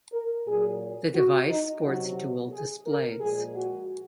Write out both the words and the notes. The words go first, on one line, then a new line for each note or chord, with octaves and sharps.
The device sports dual displays.
A#4
A#2 F#3 G#4
F#4
D#4
C3 F#3 F#4
G#4
A#4
A#2 F3 G#3 G#4
F#4